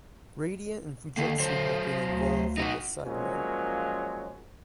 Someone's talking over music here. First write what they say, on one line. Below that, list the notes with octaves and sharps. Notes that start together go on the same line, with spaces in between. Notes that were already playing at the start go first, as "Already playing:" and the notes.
Radiant and Fujitsu have been involved in this segment.
D3 D#3 A#3
F#3 C5
D2
D#4 E4 F#4
A#2 F3 F#3 G#3 C#4